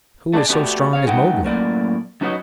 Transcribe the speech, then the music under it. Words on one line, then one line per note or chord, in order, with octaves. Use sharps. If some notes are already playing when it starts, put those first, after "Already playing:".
Who is so strong as Mowgli?
A3 D4 G#4 D5
A3 B3 F#4 G4 D5
G#4 C#5 F5
G3 A3 D#4 B4 F#5 G5
F#2 A2 A#3 A#4 D5
F#2 D#4 F#4 B4 C#5 D#5